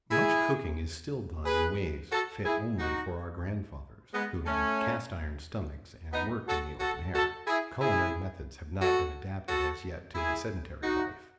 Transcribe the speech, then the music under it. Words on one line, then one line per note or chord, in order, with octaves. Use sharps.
Much cooking is still done in ways fit only for our grandfathers who had cast-iron stomachs and worked in the open air. Culinary methods have not been adapted as yet to a sedentary life.
E4 G#4
G#4 B4
F#4 A4
E4 G#4
D#4 F#4
G#3 B3
A3 C#4
B3 D#4
F#4 A4
F#4 A4
F#4 A4
E4 G#4
E4 G#4
F#4 A4
F#4 A4
E4 G#4
D#4 F#4